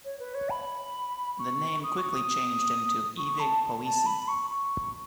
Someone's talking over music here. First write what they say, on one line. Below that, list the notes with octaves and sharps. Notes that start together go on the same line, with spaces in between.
The name quickly changed into Evig Poesi.
C#5
B4
C#5
B5
C#6
D#6
C#6
D#6
C#6
A5
A5
B5
C#6
C#6